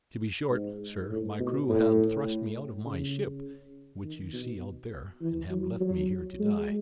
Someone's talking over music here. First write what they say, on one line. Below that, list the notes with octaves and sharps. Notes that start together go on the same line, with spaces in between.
To be short, Sir, my crew have thrust me out of my ship, which you see out there, and have left me here to die.
G#2
A2
B2
A2
C#3
D#3
B2
E3
F#3
F#3
G#3